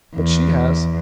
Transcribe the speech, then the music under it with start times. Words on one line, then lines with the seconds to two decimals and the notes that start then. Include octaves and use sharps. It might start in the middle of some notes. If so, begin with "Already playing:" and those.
But she has.
0.15 E2